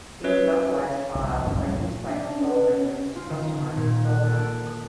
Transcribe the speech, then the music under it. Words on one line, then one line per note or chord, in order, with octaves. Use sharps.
These localized files are used by install makers to customize install packages.
C#4 B4 C#5 E5
C2
F3
F#2 C#3 F3 C4
C2 G2 B2 C#4
A2 F3 A#3
D4
C#4
B4
C#4
F4
D#3
D#3
A#2
F#6
A4
D7
D#6